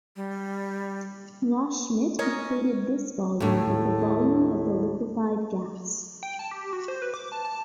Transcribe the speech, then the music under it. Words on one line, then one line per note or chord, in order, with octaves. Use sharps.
Loschmidt equated this volume with the volume of the liquified gas.
G3
C#4 A#4 C#5 D#5
D#2 A2
G5
A5
G4
F#4
C5
B4
D6
A5
A5